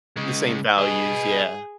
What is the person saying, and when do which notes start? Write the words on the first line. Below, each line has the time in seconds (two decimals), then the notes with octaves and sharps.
The same values. Yeah.
0.16 C#3 G#3
0.78 G#4 B4 D#5